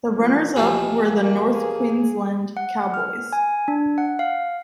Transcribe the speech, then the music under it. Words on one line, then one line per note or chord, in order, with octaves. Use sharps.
The runners up were the North Queensland Cowboys.
F3 C#4
D#2 B2 E3 F3 F4
A#3 G4
G#4
F#5
F6
G#5
D4
F#5
F5